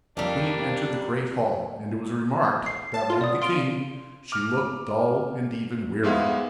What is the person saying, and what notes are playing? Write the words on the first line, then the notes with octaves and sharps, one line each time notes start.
The queen entered the great hall; and it was remarked that, like the king, she looked dull and even weary.
F2 G3 A#3 D4
C7
A5
F4 C6
B2 D5 D#6
F4 C6 D7 G7
D6 F6
G#2 G#3 B3 E5 F5